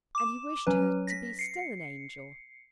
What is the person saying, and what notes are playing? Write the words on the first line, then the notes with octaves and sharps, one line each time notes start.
And he wished her to be still an angel.
D6 E7
F#3 C#4 B4
A#6 B6
C7 C#7